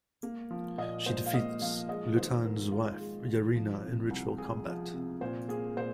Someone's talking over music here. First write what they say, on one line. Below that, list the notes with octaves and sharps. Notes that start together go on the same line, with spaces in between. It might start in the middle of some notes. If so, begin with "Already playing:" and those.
She defeats Lutan's wife Yareena in ritual combat.
A#3
F3
A#2 D#5
A#2 C5
F5
A#3 D#5
F3 F5
G#3 D#5
D#3 C5
G#2 A#4
G#2 F4
G#3
D#3
F3
C3
C2
G#3 G#4
F3
C3
A#2 C5
A#3 G#4
A#2 C5